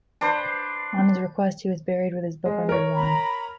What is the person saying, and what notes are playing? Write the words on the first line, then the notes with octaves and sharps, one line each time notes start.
On his request he was buried with this book under his arm.
D4 B4 C5
G#3
A#4 C#5
A#5 B5